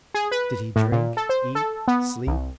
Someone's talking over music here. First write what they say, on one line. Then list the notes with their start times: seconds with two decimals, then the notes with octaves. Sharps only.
Did he drink, eat, sleep?
0.15 G#4
0.32 B4
0.76 A2
0.92 A#2
1.17 A4
1.29 C5
1.55 A4
1.88 B3
2.27 C2